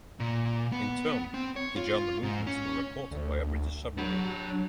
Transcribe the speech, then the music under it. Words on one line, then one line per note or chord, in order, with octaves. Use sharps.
In turn, the German movements were reported by a British submarine.
A#2
B3
C4
C#5
F4
G#2
C#4
D2
F#3 D4 B5